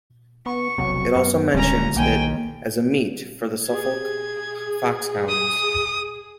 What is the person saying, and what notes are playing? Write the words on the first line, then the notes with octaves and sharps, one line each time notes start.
It also mentions it as a meet for the Suffolk fox hounds.
B3 C#6
E1 B1 C3 F#3
F#2 B3
D#1 D3 G3 G#3 C#4 A#5
B1 D#3 A#3 G5 G#5
G4 G#4 G#6
G#4
D#6